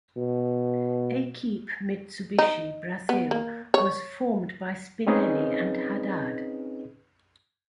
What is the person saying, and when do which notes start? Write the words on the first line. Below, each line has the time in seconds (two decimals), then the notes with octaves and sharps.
Equipe Mitsubishi Brasil was formed by Spinelli and Haddad.
0.17 B2
2.39 D#4
3.09 B3
3.31 A#3
3.74 C#5
5.07 C4 C#4 D#4 G#4 B4 D#5